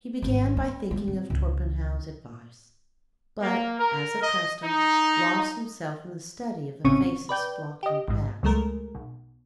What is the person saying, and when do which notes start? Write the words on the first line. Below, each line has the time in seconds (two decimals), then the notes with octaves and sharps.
He began by thinking of Torpenhow's advice, but, as of custom, lost himself in the study of the faces flocking past.
0.22 G#1 C#4
0.57 B3
0.91 G#3
1.08 C4
1.30 C#2
3.42 A#3
3.79 A#4
4.22 D#5
4.63 D#4
6.85 A1 C#3 C4 C#4 C#6 D#7
7.29 B4 D5 G5 G6
7.83 G4 D#5
8.08 A1 G#2
8.43 C#2 F#3 G#3 A3 A#4
8.95 B1